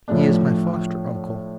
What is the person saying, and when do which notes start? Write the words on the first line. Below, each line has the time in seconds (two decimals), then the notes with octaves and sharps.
"He is my foster-uncle."
0.08 A2 F3 A3 D4